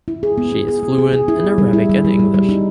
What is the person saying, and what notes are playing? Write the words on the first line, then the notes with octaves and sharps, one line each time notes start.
She is fluent in Arabic and English.
E4
G#4
B3
B3
G#4
B3
G#4
G#4
E4
B3
G3
E4
G3
G3
G3
G3
D#4